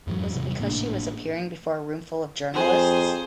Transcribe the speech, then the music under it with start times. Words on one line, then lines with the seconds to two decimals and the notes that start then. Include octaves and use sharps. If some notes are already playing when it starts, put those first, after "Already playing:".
Was it because she was appearing before a roomful of journalists?
0.07 F2 G#2 E3 F#3
0.34 E2 C3 E3 G3
0.58 G#1 A2 A#3 D4
2.53 F2 G#4 C5